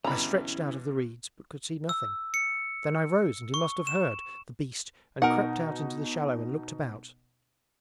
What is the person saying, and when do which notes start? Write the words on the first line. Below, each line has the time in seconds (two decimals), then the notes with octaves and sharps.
I stretched out of the reeds but could see nothing; then I rose and he must have heard, the beast, and crept out into the shallow and looked about.
0.04 G2 B2 D3 E3 C#4 E4 A#5 B5
1.89 E6
2.34 C#7
3.54 C#6
3.87 E7
5.22 B2 D#4 A#4 F#5